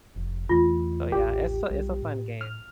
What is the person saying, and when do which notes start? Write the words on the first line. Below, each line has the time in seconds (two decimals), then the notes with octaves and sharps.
So, yeah, it's a it's a fun game.
0.16 F1
0.49 E2 E3 A3 F4
1.12 A1 D#2 G4
1.70 B1 G3
2.02 A2
2.41 F6